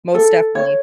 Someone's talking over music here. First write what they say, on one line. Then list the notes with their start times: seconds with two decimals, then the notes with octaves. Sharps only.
Most definitely.
0.14 A4
0.55 C#5